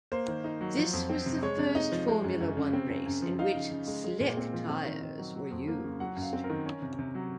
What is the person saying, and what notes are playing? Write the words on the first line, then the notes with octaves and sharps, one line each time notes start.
This was the first Formula One race in which slick tyres were used.
A#3 C5
D#3
D#4
F#3
F3
F2
C4
C3
G#3 C#5
C3
D#4
F3
G#3
F#2
F#2
C#3
C4
F#2
F#2
F3
D#4 F5
C#3
C#3
G#3
G#3
A#2
C4
F3
C4
D#3
D#3
F#3
F#3
F2
A#3
C#3
F#3 F#5
F#2
F5
C4
A#4
D#3
C#4
C3
C3
F#3